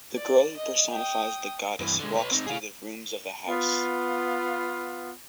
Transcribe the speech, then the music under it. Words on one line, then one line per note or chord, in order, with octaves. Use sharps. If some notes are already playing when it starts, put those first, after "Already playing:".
The girl who personifies the goddess walks through the rooms of the house.
D5
D#5
G5 D#6
G2 E3
D3 G#3
B4 C#5
C4 D#4
G#4 F5
B3 F4